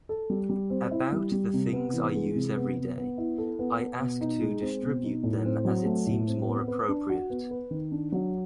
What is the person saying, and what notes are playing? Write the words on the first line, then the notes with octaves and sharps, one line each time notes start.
About the things I use everyday, I ask to distribute them as it seems more appropriate.
A4
G3
G3
C4
E4
G3
G3
C3
B3
E3
G#3
C3
B3
B3
B3
E4
A4
B3
B3
B2
D#4
G#3
C4
B2
D#4
A2
C4
F#3
A3
A2
C4
B3
B4
D4
F#4
B3
B4
D#3
D4
F#3